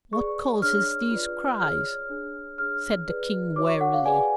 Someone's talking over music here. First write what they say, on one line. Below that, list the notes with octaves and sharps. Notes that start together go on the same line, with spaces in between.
"What causes these cries?" said the King wearily.
G#4 B4 D5 C#6
D4 G#4 C#5 F6
F4 B4 D5
G#4 C#5 F6
D4 G#4 C#5
D4 G#4 C#5 F6
G#4 B4 D5
F#4 C#5 D6
C#6
F#5
F5
G#4 B4 D5 G#5